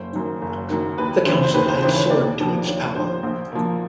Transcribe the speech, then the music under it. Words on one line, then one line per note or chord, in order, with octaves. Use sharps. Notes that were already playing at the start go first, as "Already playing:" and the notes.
The Council had soared to its power.
Already playing: F#1 C5
F#2 D#3
F#1
F#2 D#3
D#2 B4
C#3 E3 C5
C5
D#2 B4
C5
C#3 E3 C5
C#5
D#2 D5
D3 F3
D#2 C#5
D3 F3 C5
A#1 C5
A#2 F3